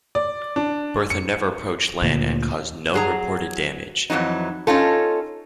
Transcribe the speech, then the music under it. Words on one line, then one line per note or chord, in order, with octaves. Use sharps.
Bertha never approached land and caused no reported damage.
D5
D4
C#7
D2 A#2
F#3 G#4 A#5
F2 E3 F#3 D#4
C#4 D#4 F4 A4